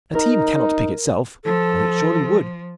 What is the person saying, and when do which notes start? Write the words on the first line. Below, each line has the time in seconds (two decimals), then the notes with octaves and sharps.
A team cannot pick itself, or it surely would.
0.15 D#4 A#4
1.44 F3 A4